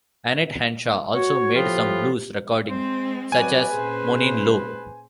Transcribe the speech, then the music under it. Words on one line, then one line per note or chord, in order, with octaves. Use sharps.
Annette Hanshaw also made some blues recordings, such as "Moanin' Low".
F#4 C#5
A2 F3 B3 F4 G4
G#3 C4 C5
F#3 B4 D5 G#5
A#2 C#4 G#4 C5